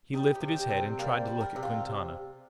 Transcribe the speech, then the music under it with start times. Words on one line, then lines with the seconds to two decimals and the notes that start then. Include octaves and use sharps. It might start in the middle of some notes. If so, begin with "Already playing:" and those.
He lifted his head and tried to look at Quintana.
0.14 G3 D#4
0.35 G4
0.42 C3
0.56 G4
0.70 C3
0.77 C4
0.99 G3 A#3
1.27 G3
1.41 A#4
1.56 C3
1.63 F4